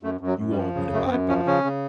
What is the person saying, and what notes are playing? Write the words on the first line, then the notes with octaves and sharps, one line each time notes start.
you all would abide by?
F#2 A3
F#2
F#3
F#2
G3
F3
C#3
F#2 A3
C4
F#2 B3
F3 C#4
C#3 C#4
C#3